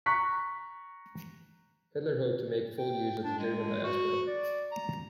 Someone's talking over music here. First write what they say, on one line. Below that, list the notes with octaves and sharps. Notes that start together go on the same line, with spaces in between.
Hitler hoped to make full use of the German Diaspora.
A#5 C#6 F#6 B6
G5
D4
G#3
F#4
D5
A#5